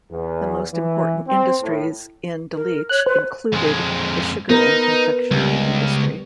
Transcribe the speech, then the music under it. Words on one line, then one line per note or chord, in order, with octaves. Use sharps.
The most important industries in Delitzsch included the sugar and confectionery industry.
E2
E3
C4
A2
A#4
C#5 F#6
B4 C5
F2 G#3
B3 D#4 A#4 B4
C#2 G3